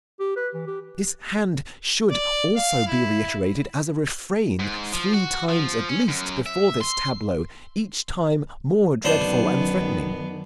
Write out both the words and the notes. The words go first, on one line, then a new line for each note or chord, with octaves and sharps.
This hand should also be reiterated as a refrain, three times at least, before this tableau, each time more dreadful and threatening.
G4
B4
E3
G4
D5
F5
E4
G#2
F3
F#4
F3
C#4
F#2
E5
C6
B1 F#2 D#3 B3 D4 C5